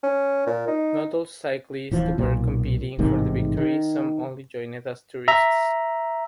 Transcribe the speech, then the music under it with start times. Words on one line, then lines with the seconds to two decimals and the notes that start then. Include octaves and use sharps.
Not all cyclists were competing for the victory; some only joined as tourists.
0.03 C#4
0.47 A#2
0.68 D#4
1.91 D1 E3 F3
2.18 B1 A#2
2.99 A1 G#2 C3 D#3
3.57 D#3
5.28 E5 A#5